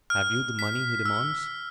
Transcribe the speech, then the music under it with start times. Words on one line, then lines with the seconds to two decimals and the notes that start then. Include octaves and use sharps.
"Have you the money he demands?"
0.10 F6
0.59 B6
1.06 E6